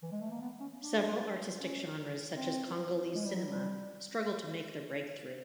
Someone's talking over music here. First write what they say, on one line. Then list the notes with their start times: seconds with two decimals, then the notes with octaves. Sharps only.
Several artistic genres such as Congolese cinema struggle to make their breakthrough.
0.03 E3
0.12 G#3
0.21 A3
0.31 A#3
0.41 B3
0.60 C#4
0.81 D4
1.58 C#4
2.36 C4
3.15 G#3
3.25 G3
3.35 F#3
3.44 G3